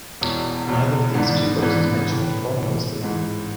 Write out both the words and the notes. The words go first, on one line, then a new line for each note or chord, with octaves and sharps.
Neither of these two books is mentioned in Cornwell's book.
E1 E2 B2
E1 E2 B2
G#2 E3 B3 D4
G#2 E3 B3 D4
A2 E3 B3
A2 E3 B3
G#2 E3 G#3